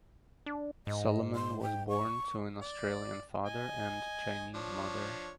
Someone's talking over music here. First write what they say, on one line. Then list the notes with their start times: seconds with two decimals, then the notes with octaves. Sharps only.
Solomon was born to an Australian father and Chinese mother.
0.46 D4
0.87 G#2 D#5
1.35 C6
1.62 G5
1.89 C#6
2.62 D5
3.46 D#5 G#5
4.54 F3 D4 C#5